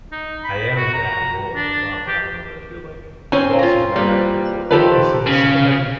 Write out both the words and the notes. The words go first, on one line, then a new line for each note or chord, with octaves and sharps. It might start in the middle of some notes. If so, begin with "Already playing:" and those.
I am that role in the club, but I don't wanna feel like "Your boss is mad at you for" this missed like,
D#4
B5
F#4
A#5
D4
G4
C4 C#4 G#5 C6
F4 A#5
G3 A#3 C4 B4
D#3 F3 G4 A4 B4 D5
C#3